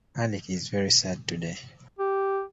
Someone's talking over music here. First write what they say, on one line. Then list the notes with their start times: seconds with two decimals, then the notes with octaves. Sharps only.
Hardik is very sad today.
1.99 G4